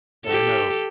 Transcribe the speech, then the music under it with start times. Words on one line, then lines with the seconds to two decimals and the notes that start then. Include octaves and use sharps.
I know.
0.25 G4 A4